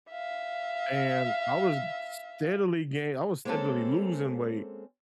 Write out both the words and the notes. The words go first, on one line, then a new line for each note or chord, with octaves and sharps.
and, I was st steadily gain I was steadily losing weight,
E5 F5
G#3 A#3 C4 C#4 A4